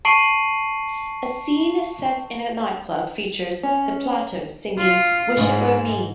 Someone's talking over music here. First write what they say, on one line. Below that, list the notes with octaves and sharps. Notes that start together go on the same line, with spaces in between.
A scene set in a nightclub features The Platters singing "Wish It Were Me".
A5 C#6 C7 D7 D#7 F#7
C#4
F4
G#2